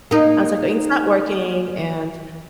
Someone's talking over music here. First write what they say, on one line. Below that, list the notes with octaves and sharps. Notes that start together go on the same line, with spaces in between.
I was like, "Uh it's not working," and,
A#3 D#4